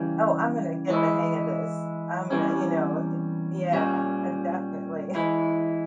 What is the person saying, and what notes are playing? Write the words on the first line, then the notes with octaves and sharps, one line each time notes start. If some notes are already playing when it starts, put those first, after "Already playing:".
Oh, I'm gonna get the hang of this. I'm gonna, you know eh Yeah, I I definitely.
Already playing: C#3 E3 G3 C#4 G4
E3 G#3 E4
E2 C3 E3 G3 C#4
A#2 G3 C#4
E3 G#3 E4